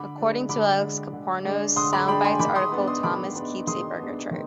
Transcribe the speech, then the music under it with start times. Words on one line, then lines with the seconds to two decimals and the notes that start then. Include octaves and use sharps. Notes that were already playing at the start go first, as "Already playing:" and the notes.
According to Alex Kapranos' "Soundbites" articles, Thomson keeps a burger chart.
Already playing: D3 B5 D6
0.18 G#3 D4
0.49 D3 B5 D6
0.81 G#3 D4
1.13 D3
1.45 G#3 D4
1.76 D3 C6 D#6
1.93 B5 D6
2.08 G#3 D4 G5 B5
2.24 G#5 C6
2.39 D#3 B5 D6
2.55 C6 D#6
2.72 B3 D4
2.87 C6 D#6
3.03 D#3 B5 D6
3.35 B3 D4
3.67 D#3 C6 D#6
3.99 B3 D4
4.31 D#3